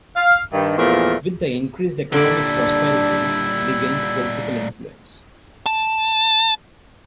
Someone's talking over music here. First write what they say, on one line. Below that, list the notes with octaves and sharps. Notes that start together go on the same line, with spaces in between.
With their increased economic prosperity they gained political influence.
F5
G2 D#3
E2 A#2 F3 A3 A#4
A#2 D3 G3 A#3 D4 E4 D5
A5